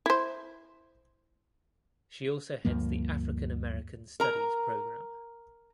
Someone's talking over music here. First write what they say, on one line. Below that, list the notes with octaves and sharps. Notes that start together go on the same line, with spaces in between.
She also heads the African American Studies program.
E4 C5
D2 G2 F3 A#3
A#4 A#5